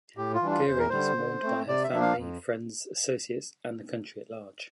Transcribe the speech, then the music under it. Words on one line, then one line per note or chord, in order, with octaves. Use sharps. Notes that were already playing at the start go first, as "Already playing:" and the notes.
Guerin is mourned by her family, friends, associates and the country at large.
A2 G4
F4
E3 G3 D4
F4
E2 C5
A#4
D3 G3 C5
D3
A3 C4
C3 D5
E5
F3 A#3 D4
F5
F2